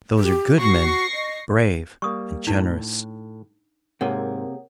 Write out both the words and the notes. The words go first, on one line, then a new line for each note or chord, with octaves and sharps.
"Those are good men, brave and generous."
G4
F#4 C#6 A#6 C7
D#5
G3 A#3 C#6 D#6
A2 D4 D#4
G#2 C3 A#3 G#4 A#4 C#5 F#5